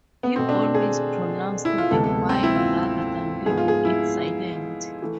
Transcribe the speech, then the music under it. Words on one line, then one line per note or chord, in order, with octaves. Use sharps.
He always pronounced the "w" rather than leaving it silent.
B3
B2 A3 C4
D4
G#4
E4
F4
D2 C3 G#3 B3 A4
A4
C4
E4
F4
G#2 F3 B3 G#4
F4
G#4
E4
E3 A3